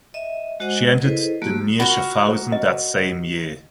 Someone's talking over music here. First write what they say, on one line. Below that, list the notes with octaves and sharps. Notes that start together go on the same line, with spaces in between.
She entered the near Schaffhausen that same year.
D#5 E5
G#3 F#4 C5 D#5 F#5
E4 G#4 A4 B4 C5 D#5
F#3 A3 A#3 F#4 G4
F4 F#4 A#4
D#5